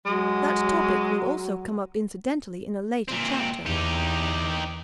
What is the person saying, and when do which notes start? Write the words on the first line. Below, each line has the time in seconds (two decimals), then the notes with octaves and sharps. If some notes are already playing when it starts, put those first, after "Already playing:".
That topic will also come up incidentally in a later chapter.
0.06 F#3 G#3
3.08 A#2 C4
3.66 E2 D#4 G4